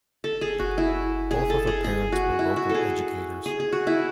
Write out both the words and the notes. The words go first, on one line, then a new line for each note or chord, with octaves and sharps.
Both of her parents were local educators.
A4
G#4
F#4
E4
G#4
A4
G#4
G#4
F#4
E4
F#4
A4
G#4
G#4
G#4
F#4
E4